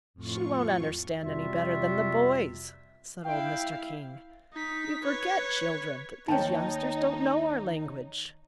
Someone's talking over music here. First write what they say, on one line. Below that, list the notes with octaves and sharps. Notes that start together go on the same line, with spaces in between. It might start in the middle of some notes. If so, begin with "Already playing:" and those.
"She won't understand any better than the boys," said old Mr. King. "You forget, children, that these youngsters don't know our language."
F2 A2 F4 C#6
F2 C3 G3 F4 F#4 E5
E4 F5 G5
D#4 B6
B4 C#5
D#2 D#3 D#4 C#5 G5 A5